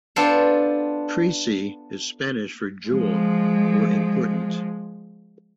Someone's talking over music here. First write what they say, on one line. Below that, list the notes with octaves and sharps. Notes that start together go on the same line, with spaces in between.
"Presea" is Spanish for "jewel" or "important".
B3 D4 F4 A4 C5
F3 G#3